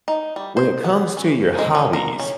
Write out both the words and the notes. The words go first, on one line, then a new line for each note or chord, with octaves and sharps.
when it comes to your hobbies,
D#4
G3
C5
B3
C#4
G#3
C#4
A#4
C#4